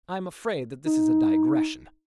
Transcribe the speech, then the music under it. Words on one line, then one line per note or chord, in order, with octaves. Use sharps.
I am afraid that this is a digression.
D#4